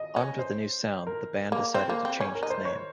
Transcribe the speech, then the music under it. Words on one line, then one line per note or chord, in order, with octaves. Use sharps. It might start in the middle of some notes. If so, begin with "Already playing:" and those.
Armed with a new sound, the band decided to change its name.
Already playing: D#5
C#4
C5
A#4
A#3
C4 C5
A#3
C4
C#4 C#5
A#4
D#4
C5
C#5